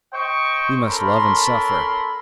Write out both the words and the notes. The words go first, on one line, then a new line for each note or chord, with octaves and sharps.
We must love and suffer....
C5 D#5 G5 C#6
C#4 A4 A#4 B5 C6